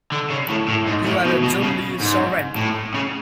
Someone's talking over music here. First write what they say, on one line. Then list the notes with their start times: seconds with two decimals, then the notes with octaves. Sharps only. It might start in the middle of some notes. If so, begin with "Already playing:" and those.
You are a jolly servant!
0.12 D3
0.30 C#3
0.49 A2
0.68 A2
0.87 G#2
1.06 A2
1.25 B2
1.43 B2
1.62 C#3
2.00 G#2
2.56 A2
2.94 C#3